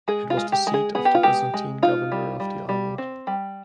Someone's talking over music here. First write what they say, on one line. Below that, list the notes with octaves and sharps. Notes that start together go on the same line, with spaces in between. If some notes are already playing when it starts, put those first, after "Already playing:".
It was the seat of the Byzantine governor of the island.
G#3 G#4
F4
G#3
G4
G#3
G#4
B3 G#4
G4
F4
G#3 G4
G#3
D#4 F4
G3
G3
G3
C4
G3